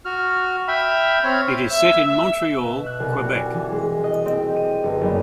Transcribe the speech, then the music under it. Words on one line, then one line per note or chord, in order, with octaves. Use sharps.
It is set in Montreal, Quebec.
F#4 F6
E5 G5 B5 F6
C4 C#5 B5 F6
E5
B2
F#6
C2
F#4
G#5
E3
G#3
D#5
C4
D#7
G1
F#1